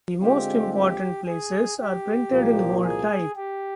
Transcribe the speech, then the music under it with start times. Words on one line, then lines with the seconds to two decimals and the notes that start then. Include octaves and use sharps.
The most important places are printed in bold type.
0.22 D3 G#3 C4 F4 G4
0.73 G4
1.27 G#4
1.79 G4
2.31 C2 A#2 F3 A#3
2.84 G#4
3.36 G4